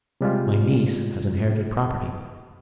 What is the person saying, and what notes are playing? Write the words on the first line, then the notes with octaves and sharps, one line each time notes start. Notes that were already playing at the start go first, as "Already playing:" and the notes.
"My niece has inherited property."
C3 G3 G#3 F4